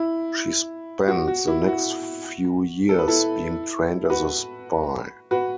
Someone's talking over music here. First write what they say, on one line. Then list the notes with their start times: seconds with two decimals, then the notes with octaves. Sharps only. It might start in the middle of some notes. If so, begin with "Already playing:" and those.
She spent the next few years being trained as a spy.
Already playing: E4
1.08 F#4
1.28 F#4
1.48 E4
1.68 F#4
2.89 A4
2.98 B4
3.08 E4 A4
4.10 F#4 B4
5.31 F#4 B4